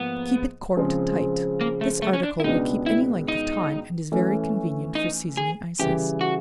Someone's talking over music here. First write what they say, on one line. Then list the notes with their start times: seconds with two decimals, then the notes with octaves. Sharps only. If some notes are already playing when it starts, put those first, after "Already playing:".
Keep it corked tight. This article will keep any length of time, and is very convenient for seasoning ices.
Already playing: G#2 F3 A#3 B3
0.77 C#3 F3 G#3 C4
1.61 A#3
1.81 A3
2.02 A3
2.13 C#4
2.23 D4
2.40 E4
2.44 C#2 B2 G#3 B3 D4 D#4
2.86 E4
3.28 D#4
4.12 E3 A3 C#4
4.95 D#4
5.37 G#4
5.79 C#3 E3 G3 G4
6.21 F#4